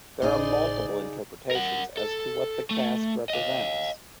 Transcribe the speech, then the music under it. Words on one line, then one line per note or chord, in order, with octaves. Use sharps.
There are multiple interpretations as to what the cast represents.
G#1 A2 C#3 D#4 G#4 C5 D5
A#4 F#5
A4
A3
D#5 F5